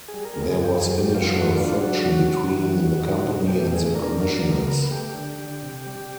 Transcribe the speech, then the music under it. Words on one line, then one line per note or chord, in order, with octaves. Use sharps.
There was initial friction between the company and the commissioners.
G#4
G3
A#4
G3
G#4
F#2 G4
G#4
F#3
G4
F#2 F4
A3 F#4
D4 F4
F#3 F#4
C#3 F#4
G3
E3
G3
D#4
B2
A3 G4
A2 G#4
D4 A#4
F#3
F#3
B3
A3 G4
D3
D3
C3
G3